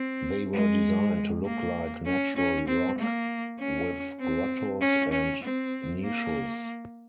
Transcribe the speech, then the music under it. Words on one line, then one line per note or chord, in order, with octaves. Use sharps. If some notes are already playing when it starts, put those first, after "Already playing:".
They were designed to look like natural rock, with grottos and niches.
Already playing: C4
G#3
A#3
C#4
C#4
C4
A#3
C#4
C4
C#4
C#4
C4
A#3